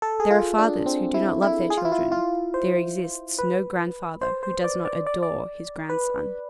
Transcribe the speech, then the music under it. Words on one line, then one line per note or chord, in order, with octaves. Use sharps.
There are fathers who do not love their children; there exists no grandfather who does not adore his grandson.
A4
G#4
F4
D4
C4
E4
E4
G#4
F4
E4
F4
F4
C5
B4
C5
C5
D5
D5
D5
D5
B4